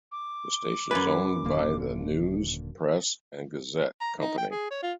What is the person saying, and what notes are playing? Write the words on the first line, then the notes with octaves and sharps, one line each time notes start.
The station is owned by the News-Press and Gazette Company.
D6
F#2 B4 D5 G#5
D#1 D3 A#3
A#5
D#4
G5
G#4
C#5
F4